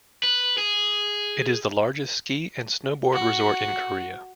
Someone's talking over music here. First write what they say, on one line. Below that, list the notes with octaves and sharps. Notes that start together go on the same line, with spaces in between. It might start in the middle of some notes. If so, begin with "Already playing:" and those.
It is the largest ski and snowboard resort in Korea.
B4
G#4
F#4